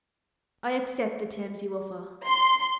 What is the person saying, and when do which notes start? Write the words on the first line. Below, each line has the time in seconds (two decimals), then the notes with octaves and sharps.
I accept the terms you offer.
2.28 C6